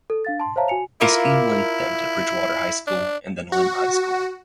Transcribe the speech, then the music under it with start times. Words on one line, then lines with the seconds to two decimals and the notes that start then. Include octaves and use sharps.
A scheme linked them to Bridgewater High School and then Lymm High School.
0.10 A4
0.25 D4 F5 A6
0.40 A5 C6
0.56 C5 C#5 E5 F5 A5 A#5
0.68 F#4 G#5 C#7 F7
1.01 E4 F4 A#4 D6
2.87 D4
3.52 F#4